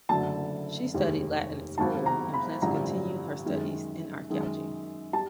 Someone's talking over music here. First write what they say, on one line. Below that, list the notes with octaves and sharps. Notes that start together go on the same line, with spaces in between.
She studied Latin at school and planned to continue her studies in archeology.
F#1 F#2 D3 F#3 A3 A5
F1 D#2 D#3 G#3
G#1 G#2 D#3 F#3 A5
A#5
B5
A1 G2 D3 F3 A#5
F#2 D#3 G#3
F#2 D#3 G#3
G3 A5